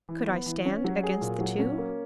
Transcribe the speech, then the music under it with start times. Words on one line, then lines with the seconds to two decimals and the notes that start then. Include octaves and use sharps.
Could I stand against the two?
0.09 E3
0.27 B3
0.46 E3
0.65 C#4
0.84 F#3
1.03 G#4
1.21 A#2
1.40 F#3
1.59 C#4
1.78 A#3